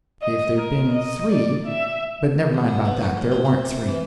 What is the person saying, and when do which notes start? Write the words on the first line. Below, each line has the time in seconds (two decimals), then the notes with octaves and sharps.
If there'd been three--But never mind about that, there warn't three.
0.22 D#5
0.57 A#4
0.92 D#5
1.32 D5
1.66 E5
2.54 C#2
2.68 D3
2.85 B3
3.03 F#4
3.17 A2
3.32 C4
3.45 C4
3.65 C3
3.88 E3